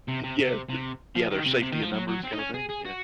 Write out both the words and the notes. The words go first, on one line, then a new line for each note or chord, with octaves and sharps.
yeah, the yeah, there's safety in numbers kinda thing, yeah.
C3
C3
C3
C3
F3
D#3
C3
C3
D#3
F3
F#3
F#3
C4
D#4
C#4
G#4
G#4
F#4